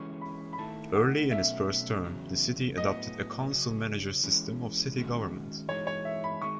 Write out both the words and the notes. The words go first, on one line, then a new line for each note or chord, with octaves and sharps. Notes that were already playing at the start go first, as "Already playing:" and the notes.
Early in his first term, the city adopted a council-manager system of city government.
Already playing: E3 G#3 C#4 C#6
B5
B5
D#3 A3 E4 A5
F#5
B2 F#3 A3 C#4 E5
E2 C#3 F#3
A2 F#3 B3 D#5
C#3 F#3 C#4
E3 G#3 C#4
D#3 G#3 C#4 F#4
E3 G#3 D#4 C#5
C#5
E5
B5
D#3 G#3 C#6